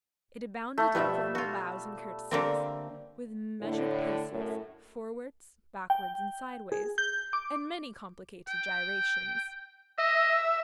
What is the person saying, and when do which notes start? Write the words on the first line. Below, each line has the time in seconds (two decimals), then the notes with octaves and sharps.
It abounded in formal bows and courtesies, with measured paces, forwards, backwards and sideways, and many complicated gyrations.
0.78 A3
0.95 B2 F3 G3 B3 E5
1.35 F4 F#4
2.31 D3 A#3 C4
3.62 A2 D3
4.31 F#2 A2
5.90 G5
6.72 G#4
6.98 G6
7.33 D6
8.48 G5
9.98 D#5 E5